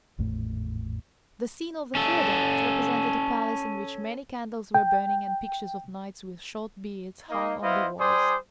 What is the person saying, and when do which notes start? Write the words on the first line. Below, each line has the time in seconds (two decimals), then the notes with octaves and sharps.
The scene of the third act represented a palace in which many candles were burning and pictures of knights with short beards hung on the walls.
0.18 G#1 E2 A2 A3
1.95 C#4 A4
4.75 G5
7.30 A#3 D#4 D#5
7.62 B3 E4 C5 D#5 F5
8.00 G3 C5 D5 G#5 C6 D#6